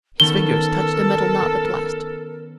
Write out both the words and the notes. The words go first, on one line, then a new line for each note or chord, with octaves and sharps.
His fingers touched the metal knob at last.
D#3 B3 C#4 A4 A#4 G7